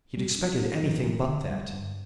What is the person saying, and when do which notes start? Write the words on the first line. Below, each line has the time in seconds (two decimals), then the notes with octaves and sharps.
He had expected anything but that.
0.17 G3
0.39 D4
0.61 D4
0.83 F3
1.06 F3
1.28 D3
1.50 G3
1.72 G2